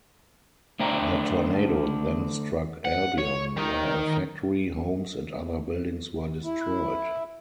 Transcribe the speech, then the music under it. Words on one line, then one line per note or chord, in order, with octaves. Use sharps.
The tornado then struck Albion, where a factory, homes, and other buildings were destroyed.
D3 A3 D4 C5 G5 A#5
F#5
C#5
D#3 D#4
E4